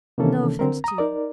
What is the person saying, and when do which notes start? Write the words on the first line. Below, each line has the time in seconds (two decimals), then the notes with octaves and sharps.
No offence to you.
0.18 C3 D#3 E3 A#3 C#4 A4
0.59 D3 C4 A#4
0.84 A#5 D#6
0.98 D#4 A#4 D5